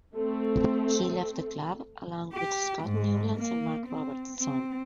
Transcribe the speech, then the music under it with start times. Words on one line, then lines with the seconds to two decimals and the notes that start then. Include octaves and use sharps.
He left the club along with Scott Newlands and Mark Robertson.
0.15 A3 C4
2.33 G4
2.83 G#2
3.37 A#3
3.86 C4
4.37 C4